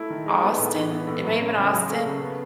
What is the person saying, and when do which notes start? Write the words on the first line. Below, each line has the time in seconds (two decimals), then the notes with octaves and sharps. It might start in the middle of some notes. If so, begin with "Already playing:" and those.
Austin, it may have been Austin
Already playing: A3 E4
0.10 D#3
0.26 G#3
0.43 B3
0.58 A2
0.74 E3
0.91 B3
1.07 A2
1.24 F#3
1.40 C#4
1.56 C#3
1.72 F#3
1.89 A3
2.05 C#3
2.22 B3